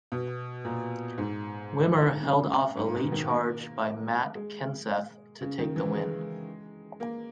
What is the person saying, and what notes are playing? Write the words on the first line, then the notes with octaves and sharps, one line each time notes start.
Wimmer held off a late charge by Matt Kenseth to take the win.
B2
A#2
G#2
F#2
G#2
B2
D#3
A#3
G#3
C#3
D#3
E3
G#3
A#3